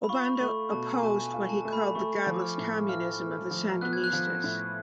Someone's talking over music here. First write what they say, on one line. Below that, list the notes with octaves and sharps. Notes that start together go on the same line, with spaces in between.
Obando opposed what he called the "godless communism" of the Sandinistas.
B5
F4 C#6
B5
A3 C#6
B2 A5
G#5
B2 A5
G#5
F4
A5
A3
B5
A3 C#6
F3
D6
F6
A2
F4 F6
A3
F3
B3 F#6
G#6
F#6
F3
A2